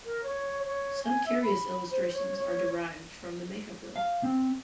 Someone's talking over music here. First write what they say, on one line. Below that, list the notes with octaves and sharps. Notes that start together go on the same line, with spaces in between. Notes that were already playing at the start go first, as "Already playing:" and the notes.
Some curious illustrations are derived from the makeup room.
A#4
C#5
C#5
G#5
E5
B5
C5
C#5
C#5
F5
C4